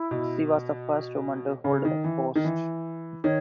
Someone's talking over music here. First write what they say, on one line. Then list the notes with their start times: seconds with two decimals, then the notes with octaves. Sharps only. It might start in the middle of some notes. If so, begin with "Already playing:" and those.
She was the first woman to hold the post.
Already playing: E4
0.11 B2
1.64 C#3
1.85 D#3
2.04 E3
2.36 D#3
2.45 E3
3.24 D#3 C#5